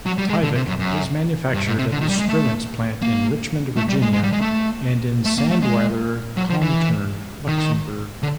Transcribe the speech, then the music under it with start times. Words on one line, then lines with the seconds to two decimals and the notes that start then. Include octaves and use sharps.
Tyvek is manufactured at the Spruance plant in Richmond, Virginia, and in Sandweiler-Contern, Luxembourg.
0.06 F#3
0.18 G3
0.30 G#3
0.43 D3
0.55 C3
0.68 F#2
0.79 F#2
1.54 G2
1.67 G#2
1.78 C3
1.92 D3
2.01 D#3
2.10 G3
2.19 G#3
2.29 A3
3.02 A#3
3.77 A3
3.89 G3
4.02 G#3
4.13 G#3
4.23 G3
4.32 G#3
4.41 A3
5.25 A3
5.38 A#3
5.51 A3
5.62 G#3
6.37 F#3
6.50 F3
6.62 E3
7.48 D#3
8.23 D3